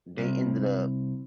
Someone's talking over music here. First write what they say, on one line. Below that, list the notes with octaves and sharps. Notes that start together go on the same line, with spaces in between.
they ended up
C2